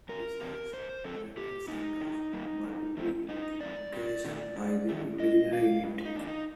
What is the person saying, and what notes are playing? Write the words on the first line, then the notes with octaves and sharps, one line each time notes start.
This is reminiscent of multiplication by the imaginary unit.
G2 A#4
D3 F3 C4 A#4
G2 C5
C5
D3 F3 C4 A4
D3 G4
G3 A#3 D#4
D3
G3 A#3
G2
F3 A3 C4
G2 D#4
F3 A3 C4 D5
G2
D#3 A3
G2
D#3 A3
G2 D#5
D#3 A#3 F5
G2
D#4
D#3 A#3 D4
D#4